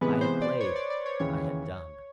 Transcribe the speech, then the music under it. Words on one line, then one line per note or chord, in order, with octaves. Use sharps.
I had played--I had done.
C3 E3 G#3 B3 B4
C5
D5
C#5
D5
D5
C#5
D#2 C#3 E3 C#5